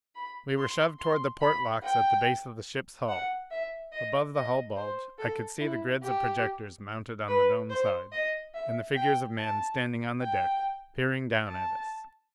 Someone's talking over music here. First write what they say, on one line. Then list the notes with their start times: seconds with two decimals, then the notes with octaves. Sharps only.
We were shoved toward the port locks at the base of the ship's hull. Above the hull bulge I could see the grids of projectors mounted on the dome side, and the figures of men standing on the deck, peering down at us.
0.15 B5
0.57 C6
0.99 C6
1.41 B5
1.83 G5
3.09 F#5
3.51 E5
3.92 D#5
4.35 D#5
4.76 C5
5.18 A4
5.60 E4
6.03 G4
7.28 B4
7.70 C5
8.12 D#5
8.54 E5
8.96 G5
9.38 A5
10.22 G5
11.48 A5